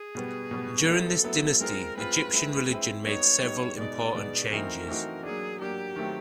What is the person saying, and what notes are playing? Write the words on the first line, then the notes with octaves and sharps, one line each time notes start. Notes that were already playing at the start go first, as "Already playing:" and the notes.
During this dynasty, Egyptian religion made several important changes.
Already playing: G#4
B2 G3 B3
B2 G3 B3
F#3 B3 E4 A4
F#3 B3 E4
G#3 C4 F4 A#4
G#3 C4 F4 B4
G#3 C4 E4
G#3 C4 E4
G3 B3 D#4 C#5
G3 B3 D#4
B2 G#3 B3 D#4 D5
B2 G#3 B3 D#4
E3 A3 C4 D#4 F#4 A#4
E3 A3 C4 D#4 F#4
F#3 A#3 D4 G#4
F#3 A#3 D4 G4
D#3 F#3 A3 C4